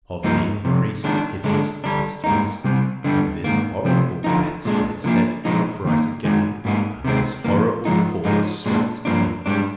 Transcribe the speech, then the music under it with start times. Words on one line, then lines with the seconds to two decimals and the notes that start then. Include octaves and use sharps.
Of an increase of hideous customers, and this horrible bedstead set upright again, and this horrible court swept clean?
0.24 G2 F3 A#3 D#4
0.65 F2 C3
1.04 D#3 G#3 D4
1.44 D3 G#3 D4
1.84 D3 G3 D4
2.24 G#2 G3 A#3 D#4
2.64 C3 G3 C4
3.04 D3 G3 D4
3.44 G#2 D#3 A#3
3.85 C3 F3 C4
4.24 D3 F3 A#3 D#4
4.65 A#2 G#3 D4
5.04 D3 F3 A#3 D4
5.45 A#2 F3 G#3 D#4
5.85 D#3 A#3 D#4
6.25 D#3 G#3 D#4
6.65 G#2 G3 A#3 D#4
7.04 C3 D#3 G#3 C4
7.45 F2 D#3 A#3
7.85 G#2 F3 G#3 D#4
8.25 G#2 F3 G#3 D#4
8.66 A#2 G#3 D4
9.05 G2 F3 A#3 D4
9.46 G#2 G3 D4